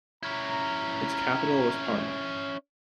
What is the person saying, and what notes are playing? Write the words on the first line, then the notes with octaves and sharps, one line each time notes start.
Its capital was Parma.
C#4 E4 A#5